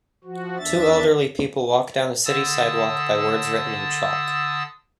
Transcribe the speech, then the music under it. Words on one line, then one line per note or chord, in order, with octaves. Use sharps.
Two elderly people walk down a city sidewalk by words written in chalk.
F3 F#4
E2 D4 E5 A6
D3 A5 D#6 E6 A6